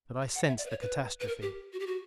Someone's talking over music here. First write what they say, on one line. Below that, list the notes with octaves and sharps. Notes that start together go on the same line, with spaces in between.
But I sensed the catastrophe.
F#5
E5
D5
B4
C#5
B4
B4
A#4
G4
F#4
G4
F#4